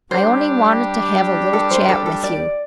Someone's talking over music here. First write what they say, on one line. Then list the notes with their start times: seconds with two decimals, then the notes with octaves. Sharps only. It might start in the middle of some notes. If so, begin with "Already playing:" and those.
I only wanted to have a little chat with you.
0.11 G3 D4 G4 C5
1.53 A4
1.71 C5
1.89 A4
2.06 A4
2.24 D5